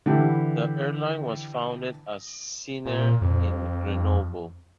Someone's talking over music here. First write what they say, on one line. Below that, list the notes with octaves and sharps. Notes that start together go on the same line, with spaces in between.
The airline was founded as Sinair in Grenoble.
D3 E3 E4 G4
A#2
F2